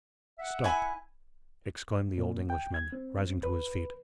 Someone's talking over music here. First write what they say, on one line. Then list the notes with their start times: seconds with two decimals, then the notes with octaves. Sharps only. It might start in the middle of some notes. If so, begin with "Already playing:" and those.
"Stop," exclaimed the old Englishman, rising to his feet.
0.39 E5 F#5
0.64 E4 G#5
2.18 A#2
2.50 G5
2.74 G#6
2.92 C4
3.43 B4